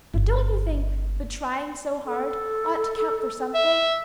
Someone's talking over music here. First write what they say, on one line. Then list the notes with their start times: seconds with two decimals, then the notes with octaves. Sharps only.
But don't you think the trying so hard ought to count for something?
0.14 G1
2.06 A4
3.54 E5